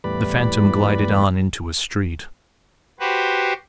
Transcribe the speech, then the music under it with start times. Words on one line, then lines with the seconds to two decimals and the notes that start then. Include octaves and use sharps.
The Phantom glided on into a street.
0.04 E2 A2 G3 B4 D5 B5
3.00 F#4 G4 B4 C5